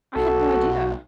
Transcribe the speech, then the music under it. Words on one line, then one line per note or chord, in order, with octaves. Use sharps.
I had no idea.
B1 F#4 A4